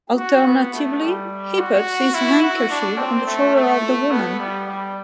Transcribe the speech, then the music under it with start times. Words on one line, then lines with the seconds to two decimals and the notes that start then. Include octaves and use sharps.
Alternatively, he puts his handkerchief on the shoulder of the woman.
0.17 F#4
0.46 B3
0.74 A3
1.02 G3
1.58 F#4
2.14 E4
2.43 F#4
2.70 D4
2.98 C4
3.26 A3
3.55 A3
4.11 B3
4.39 G3
4.68 G3